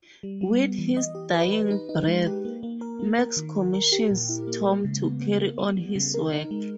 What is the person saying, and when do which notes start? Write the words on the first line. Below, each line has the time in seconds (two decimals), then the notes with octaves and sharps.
With his dying breath, Max commissions Tom to carry on his work.
0.23 G3
0.41 G3
0.60 B3
0.78 E3
0.97 D#5
1.15 G4
1.33 B4
1.52 B4
1.71 D#4
1.89 D#4
2.07 G#3
2.26 G4
2.45 A#3
2.63 A#3
2.81 A#4
2.99 A#3
3.19 A#4
3.37 D#3
3.55 A#4
3.74 A#4
3.92 G4
4.11 A#2
4.29 E4
4.47 A#3
4.66 G#3
4.85 C#3
5.03 B3
5.21 B3
5.40 A#3
5.58 G3
5.77 G3
5.95 C#3
6.14 A#4
6.33 D#4
6.51 G#3